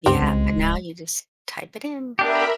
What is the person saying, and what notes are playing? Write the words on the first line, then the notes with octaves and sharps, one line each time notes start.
Yeah, and now you just type it in.
C#2 G2 C4 G4
C2 G#3
D1
B3 D4 G4 A#4 E5 B5